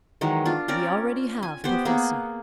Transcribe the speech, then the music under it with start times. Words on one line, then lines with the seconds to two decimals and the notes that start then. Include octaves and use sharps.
"We already have, professor."
0.21 D#3 E3 F#3 G#3
0.45 D4 F4
0.68 C4 C#4 A#4 D5
1.43 G#5
1.64 B3 G4 C5 G5
1.85 A#3 B3 G#4